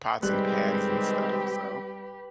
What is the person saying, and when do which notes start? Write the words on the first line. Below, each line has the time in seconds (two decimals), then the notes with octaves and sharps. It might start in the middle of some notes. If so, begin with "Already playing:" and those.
pots and pans and stuff, so
0.23 C3 D#3 G3 G#3 C4 G4 B4 F#6